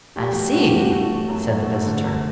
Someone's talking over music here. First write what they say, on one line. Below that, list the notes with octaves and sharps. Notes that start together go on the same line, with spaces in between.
"I see," said the visitor.
A3 G4
F#3
G2 F#4
G4
G2
F#4
A3 F#4
F#3
F#2
F#2
A3
D3
F#2